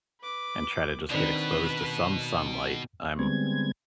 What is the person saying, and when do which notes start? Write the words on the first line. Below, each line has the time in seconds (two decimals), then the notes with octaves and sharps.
and try to just get exposed to some sunlight, I'm
0.21 B4 D6
1.10 B2 D#3 C4 D4 B4
3.19 D3 G3 G#3 B3 C4 G#6